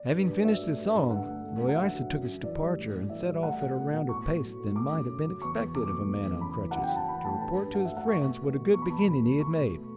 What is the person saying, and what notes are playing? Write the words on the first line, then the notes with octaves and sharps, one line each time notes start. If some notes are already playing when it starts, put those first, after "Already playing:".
Having finished his song, Loaysa took his departure, and set off at a rounder pace than might have been expected of a man on crutches, to report to his friends what a good beginning he had made.
Already playing: D5
G2
G2
F#3 E5
A3
G2
G2
D3 F#5
A3
A3
F#2
F#5
D3 E5
F#3
F#2
F#2
E3 D5
G3
A2
A2
E3 E5
G3
A3 F#5
B2
A3
B2
A2 C#6
A2
F#3
A3
A3 D6
F#2
C#3
F#3
E2 C#6
E2
B2 D6
A3
E2
E2
C#3 B5
E3
F#2 F#5
G5
F#2 A5
E3 B5
A3 A5
G2 A5
G2
F#3 F#5
E5
A3
F#5
A3 C#6
B2
A3
B2
E2 C#6
B5
E2 A5
B5
B2
A3
A3 C#6
B2
A3